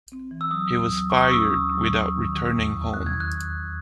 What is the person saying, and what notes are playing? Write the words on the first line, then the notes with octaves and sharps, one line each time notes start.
He was fired without returning home.
C4
E3
E6
F#3 D#6
D#2
F#3
D#2 C#6
D#6
C#4 E6
D#2
F#3
D#2
D#3
D#3
E2
D#3
E2 F#6
G#6
D#3
F#6
E2
E2